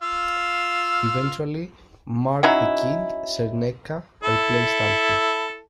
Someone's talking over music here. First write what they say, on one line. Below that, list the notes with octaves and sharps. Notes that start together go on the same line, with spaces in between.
Eventually Mark "The Kid" Cerneka replaced Alfie.
F4 F5 E6
F#3 C#4 D#4 E4
E4 A4